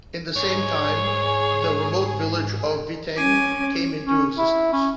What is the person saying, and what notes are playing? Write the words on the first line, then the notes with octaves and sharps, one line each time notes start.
In the same time, the remote village of Vitteng came into existence.
G#2 G#4 C#5
C#4 G#5 D6
C#4
E4
C#4